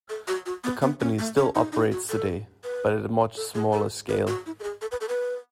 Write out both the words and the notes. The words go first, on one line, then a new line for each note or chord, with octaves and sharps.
The company still operates today, but at a much smaller scale.
A4
F#4
F#4
B3
B3
C#4
A3
C#4
D#4
D#4
F#4
A4
B4
A4
G#4
A4
B4
F#4
E4
A4
G#4
A4
B4
A4
B4